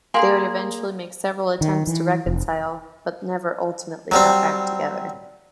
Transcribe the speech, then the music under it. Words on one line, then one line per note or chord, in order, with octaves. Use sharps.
They would eventually make several attempts to reconcile, but never ultimately got back together.
A#3 G4 G#4 F5 G#5 C6
D#3
E3
F1
F#3 G3 C4